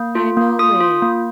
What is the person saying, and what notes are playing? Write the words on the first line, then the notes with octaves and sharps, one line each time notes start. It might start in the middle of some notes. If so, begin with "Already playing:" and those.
I know it.
Already playing: A#3
F4
A#3
F4 D#6
F4
A#3